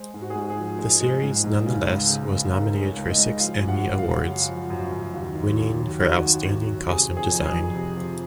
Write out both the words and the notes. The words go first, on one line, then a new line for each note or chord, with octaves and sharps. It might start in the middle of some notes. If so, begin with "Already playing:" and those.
The series nonetheless was nominated for six Emmy Awards, winning for Outstanding Costume Design.
Already playing: G#3 C5
G#2
F#4
G#4
G#2 F#4
G#4
F3
G#3
G#3
G#2
G#2
C#3
C#2
C#3
C#3
C#3 A#4
G#3
C#5
C#2
D#5
G#3
F3 F5
F#2
F#5
C#3
F5
C#3
C#3
F3
F#2
F#2
D#2
D#3
D#2
F#3
D#3 F#4
F#3
D#2
F#3
C3 G#4
F3
G#4
F2
G#4
F2
C3
F3